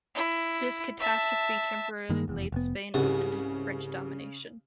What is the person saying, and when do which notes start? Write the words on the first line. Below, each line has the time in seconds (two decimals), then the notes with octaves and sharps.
This catastrophe temporarily laid Spain open to French domination.
0.15 E4
0.99 E5 A5
2.09 G2 D#3 A#3
2.28 F1 E2
2.52 F1 B3
2.94 C2 G#2 C#3 F#4